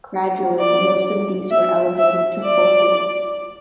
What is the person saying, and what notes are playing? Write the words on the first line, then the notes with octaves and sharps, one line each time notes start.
Gradually, most of these were elevated to full themes.
D5
E5
E5
D5